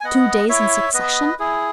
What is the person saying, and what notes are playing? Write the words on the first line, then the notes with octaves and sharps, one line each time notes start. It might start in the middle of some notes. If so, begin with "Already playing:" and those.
Two days in succession!
G#5
B3 D#5 F#5
E4 C#5 E5
B3 B4 D#5
E4 G#4